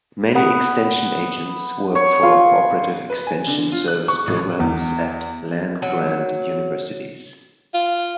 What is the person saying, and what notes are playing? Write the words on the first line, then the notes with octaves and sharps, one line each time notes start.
Many extension agents work for cooperative extension service programs at land-grant universities.
B3
C#5
F4
B4
G#5
D3
F4
F#6
C#6
A1
E2
F#3
F4